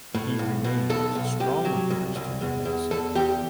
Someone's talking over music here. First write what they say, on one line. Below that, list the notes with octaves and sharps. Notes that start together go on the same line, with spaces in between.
He remains strongly interested in medicine.
A2
B1
B2
B1 A4
B1
C2 G4
F#3
C2
C2
E2
E2
E2 A4
E2 G4